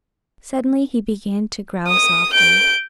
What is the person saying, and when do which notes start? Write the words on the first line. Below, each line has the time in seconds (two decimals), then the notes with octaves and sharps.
Suddenly he began to growl softly.
1.88 D#6
2.33 G6 D7